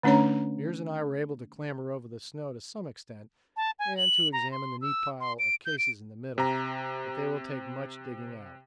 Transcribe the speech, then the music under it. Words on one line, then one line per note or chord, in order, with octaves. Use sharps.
Meares and I were able to clamber over the snow to some extent and to examine the neat pile of cases in the middle, but they will take much digging out.
D3 A3 C#4 D4 C#5 A#5
A5
G#5
F#7
A#5
C6
E6
C6
D7
G6
D7
C3 A#5